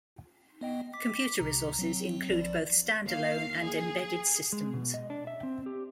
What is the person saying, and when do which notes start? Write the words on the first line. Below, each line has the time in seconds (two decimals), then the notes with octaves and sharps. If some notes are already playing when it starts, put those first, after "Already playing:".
Computer resources include both stand-alone and embedded systems.
0.61 B3 D#5 G5
0.94 D6 B6
1.39 C2 C3 A#5
1.79 F#3 C4
2.29 A#1 F3 D5
3.05 D#2 F5
3.63 G#4
4.53 G#3
4.74 B2
4.94 D#5
5.10 D4
5.27 E5
5.43 C4
5.66 G4